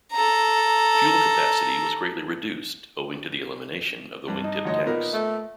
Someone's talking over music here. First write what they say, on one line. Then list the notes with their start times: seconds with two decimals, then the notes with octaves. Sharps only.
Fuel capacity was greatly reduced, owing to the elimination of the wingtip tanks.
0.12 A4 A#5
4.28 G2
4.44 D#4
4.65 D2 C#5 D#5
4.86 A#2 B3 A#4
5.13 A3